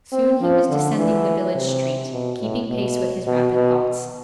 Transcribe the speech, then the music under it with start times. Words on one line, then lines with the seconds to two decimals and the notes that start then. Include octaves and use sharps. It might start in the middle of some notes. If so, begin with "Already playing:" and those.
Soon he was descending the village street, keeping pace with his rapid thoughts.
0.12 C4
0.41 F3
0.70 D3
0.98 E3
1.55 C3
2.12 B2
2.41 A2
2.69 B2
3.27 B2
3.55 B2